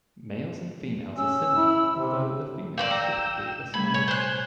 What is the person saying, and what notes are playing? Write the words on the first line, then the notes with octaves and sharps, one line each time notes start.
Males and females are similar, although the females typically are smaller.
C#4 E6
E4
C3
A#3 C5 D5 F5 G5 E6
A#5
C3 G3 A3 G#5 B5
A#2 C#5
C5 F#6